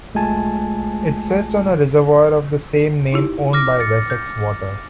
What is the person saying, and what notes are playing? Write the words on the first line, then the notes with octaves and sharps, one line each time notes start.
It sits on a reservoir of the same name owned by Wessex Water.
B1 G#3 A3 F4 G#5 A5
D#4 E4 G4
D6 F6 A#6
A6 C#7
G6